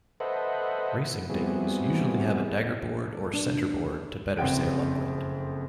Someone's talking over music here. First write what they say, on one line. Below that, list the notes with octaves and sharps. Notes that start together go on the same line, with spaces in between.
Racing dinghies usually have a daggerboard or centreboard to better sail upwind.
A4 B4 C5 D#5 E5 F#5
G3 B3 C4 E4 F#4 G#4
D4
F#1 F2 F#5 G5 D7